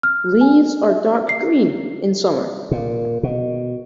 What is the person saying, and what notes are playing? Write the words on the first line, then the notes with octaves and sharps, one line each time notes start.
Leaves are dark green in summer.
F6
G#5
E5
C7
A#2
B2